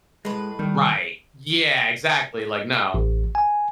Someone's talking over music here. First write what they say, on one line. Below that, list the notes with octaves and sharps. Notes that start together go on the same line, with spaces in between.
right, yeah, exactly, like, "No."
A2 G#3 B4
D#3 G3
A1
G#5